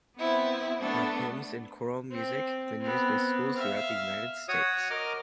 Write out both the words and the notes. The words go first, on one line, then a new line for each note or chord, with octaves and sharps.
Her hymns and choral music have been used by schools throughout the United States.
B3 C4 E4
A3 B3 D4 A4
C4
B3 C4
E5 F5
F#4 C#5 D#6
A#4 D#5 D6 F6